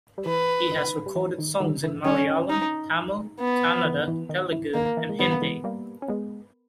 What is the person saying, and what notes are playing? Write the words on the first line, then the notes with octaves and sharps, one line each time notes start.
He has recorded songs in Malayalam, Tamil, Kannada, Telugu and Hindi.
G3
E3 B4
D#3
G3
E3
D#3
D#3 G3
E3
D#3 G3 C#4
D#4
B3
E3
E3
D#3
E3
D#3 A#3
E3
G#3
D#3 G3 B3
A#3
E3 G#3
G3 A#3
C#4
G#3 B3